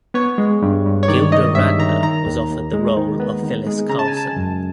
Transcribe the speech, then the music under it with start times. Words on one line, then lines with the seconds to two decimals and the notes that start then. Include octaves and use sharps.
Gilda Radner was offered the role of Phyllis Carlson.
0.14 B3 C#5
0.38 G#3
0.62 G2
0.86 G2
1.03 C#5
1.08 D#3 D5
1.32 D#3 D#5
1.55 G2 E5
1.79 D#3 A#5
2.03 D#3 A#5
2.26 D#2
2.50 D#2
2.73 G#3
2.96 D#3
3.20 B3
3.43 D#3
3.67 G#3
3.89 C#3 A#5
3.99 A5
4.08 G#5
4.13 C#3 A5
4.36 F#2